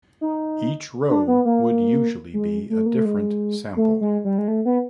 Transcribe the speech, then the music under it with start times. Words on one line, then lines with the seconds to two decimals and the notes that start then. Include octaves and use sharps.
Each row would usually be a different sample.
0.21 D#4
1.09 D4
1.28 B3
1.45 A#3
2.34 G#3
2.70 A3
2.86 A#3
2.96 A3
3.05 G#3
3.77 A3
4.01 G#3
4.25 G3
4.38 G#3
4.48 A3
4.65 B3